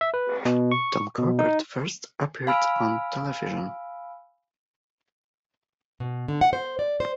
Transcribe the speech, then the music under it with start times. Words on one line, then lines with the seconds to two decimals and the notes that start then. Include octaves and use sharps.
"Tom Corbett" first appeared on television.
0.01 E5
0.14 B4
0.45 B2
0.72 C#6
1.18 B2
1.39 D#4
2.47 F5 G#5 B5 E6 F6 D7
6.00 B2
6.28 D3
6.41 F#5
6.53 C5
6.79 D5
7.00 C5